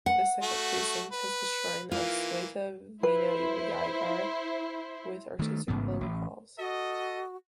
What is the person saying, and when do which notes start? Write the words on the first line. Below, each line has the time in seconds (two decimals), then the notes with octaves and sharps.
The second precinct has the shrine of Swetha Vinayagar with artistic pillared halls.
0.06 F#5
0.42 A3 F#4
1.12 B4
1.92 E3 A#3 F4
3.03 E4 B4 C5
5.39 D#3 A3
5.68 A1 G#2 C#3 B3
6.01 A1
6.59 F#4 A4 D#5